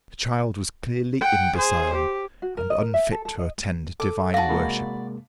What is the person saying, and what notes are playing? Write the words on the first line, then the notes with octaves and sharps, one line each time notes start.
The child was clearly imbecile, and unfit to attend divine worship.
F#5 G5
G#4 C5
G4
F#4
A#4
D#5
A#4
E5
A4
A4
D#5
A4 D6
F#4 D5 F5 A5 A#6
C3 G#3 A#3 B5